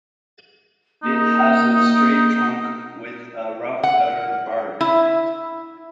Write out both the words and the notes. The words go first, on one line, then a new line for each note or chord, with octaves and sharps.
It has a straight trunk with a rough outer bark.
A#3 D#4
F#5
E4